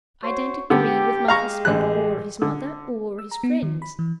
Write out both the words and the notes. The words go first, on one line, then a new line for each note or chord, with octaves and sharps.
I don't agree with my husband, or his mother, or his friends.
F#4 C5 C#5
D3 B3 G4 G5
G#3 G4 F5 A#5 C#6
A1 F#6
D3
E6
A#5
B3
D#3
B5
E3